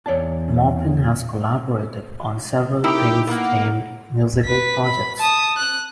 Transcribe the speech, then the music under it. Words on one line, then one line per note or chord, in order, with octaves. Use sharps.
Maupin has collaborated on several "Tales"-themed musical projects.
E2 C#5 D5 A5
A#3 D#4 E4 G4
A#3 B3 F#5
B4 B6
B5
A5 D#6
F#6